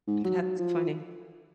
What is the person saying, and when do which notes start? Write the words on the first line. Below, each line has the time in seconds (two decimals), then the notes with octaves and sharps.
That's funny.
0.07 G#2
0.25 F#3
0.42 F#3
0.59 F3